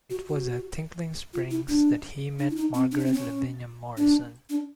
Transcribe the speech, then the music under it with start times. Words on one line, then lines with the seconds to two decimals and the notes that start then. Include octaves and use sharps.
It was at Tinkling Springs that he met Margaret Lavinia Morrison.
0.10 F#4
0.28 F#4
1.34 F4
1.51 E4
1.68 D4
2.39 D4
2.50 E4
2.56 D#4
2.74 C4
2.92 D4
2.99 C#4
3.06 C4
3.14 C#4
3.97 D4
4.50 D4